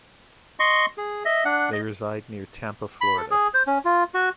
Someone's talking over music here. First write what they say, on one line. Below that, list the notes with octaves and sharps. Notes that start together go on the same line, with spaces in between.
They reside near Tampa, Florida.
D#5 C6 C#6
G#4
D#5 E5
D4 F#5
D#5
B5
A4
G#4
C5
C#4
F4
F#4